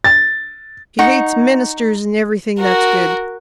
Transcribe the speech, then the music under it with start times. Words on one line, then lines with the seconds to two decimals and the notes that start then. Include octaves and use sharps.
She hates ministers and everything that's good.
0.04 A6
0.99 D#4 F#5 C#6
2.59 F#4 A#4